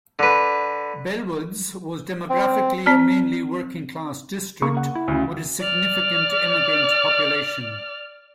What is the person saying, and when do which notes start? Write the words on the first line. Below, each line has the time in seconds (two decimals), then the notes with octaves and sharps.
Bellwoods was demographically a mainly working class district, with a significant immigrant population.
0.19 D3 B4
2.30 C4
2.86 C4 D5 A5 F6
4.62 C#3 A#3 C#6
4.77 F#5
4.95 E4
5.08 D2 C#3
5.60 D5 F6